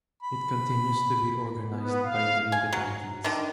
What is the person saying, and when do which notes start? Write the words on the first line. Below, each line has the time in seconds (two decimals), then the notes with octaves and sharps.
It continues to be organized by The Independents.
0.22 B5
1.69 B3
2.04 F5
2.52 G#5
2.73 F#3
3.24 D3 D#3